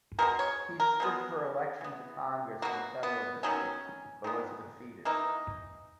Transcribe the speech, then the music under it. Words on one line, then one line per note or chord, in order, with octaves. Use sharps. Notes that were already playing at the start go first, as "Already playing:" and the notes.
He stood for election to Congress in the Federal District but was defeated.
B2 G#3 B3 A#4
C#5
A#4
B2 G#3 B3
E3 B3
B2 F#3 A#3 F#4
B3
D#3 F#3 B3 C#4
D#3 G#3 B3
E3 A#3 D#4